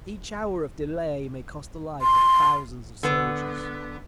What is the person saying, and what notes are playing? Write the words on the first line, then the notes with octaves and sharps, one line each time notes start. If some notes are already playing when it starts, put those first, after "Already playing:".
Each hour of delay may cost the life of thousands of soldiers.
C6
D3 B3